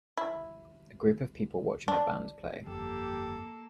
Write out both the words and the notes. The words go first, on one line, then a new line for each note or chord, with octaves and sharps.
A group of people watching a band play.
E4
D4
G1 F2 A#3 G4 A4